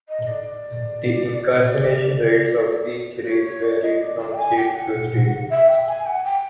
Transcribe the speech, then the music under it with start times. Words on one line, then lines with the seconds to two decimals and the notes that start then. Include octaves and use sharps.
The incarceration rates of each race varried from state to state.
0.09 D#5
0.26 D5
3.26 C#5
3.44 C#5
3.63 D5
3.82 D#5
4.00 D5
4.19 D5
4.32 G5
4.38 G#5
4.56 G5
4.75 F#5
5.49 E5
5.68 G5
5.83 G5
5.87 G#5
6.06 F#5
6.24 G5